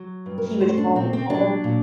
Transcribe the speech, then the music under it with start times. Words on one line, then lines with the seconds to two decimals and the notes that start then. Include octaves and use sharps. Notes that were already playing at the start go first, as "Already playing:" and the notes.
he would fall on the floor.
Already playing: F#3
0.26 G2
0.38 A#4
0.60 A3 C5
0.77 D4
0.96 A#2 C4
1.13 C4
1.30 F#3 D4
1.64 A#2